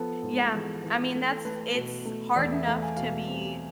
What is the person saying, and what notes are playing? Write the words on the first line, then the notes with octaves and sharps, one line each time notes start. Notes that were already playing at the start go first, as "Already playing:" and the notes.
Yeah. I mean, that's It's hard enough to be
Already playing: F3 B3 A4
G#2 A4
E3 G#4
E3
A3 A4
A4
A3 B4
B4
B2
A3
E2 D5
E5
A3 F5
G#5
B2 F5
C4